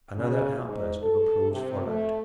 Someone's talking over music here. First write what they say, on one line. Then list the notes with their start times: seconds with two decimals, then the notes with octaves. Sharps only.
Another outburst of applause followed.
0.17 C#3
0.65 G#2
1.02 A4
1.51 C3
1.85 A3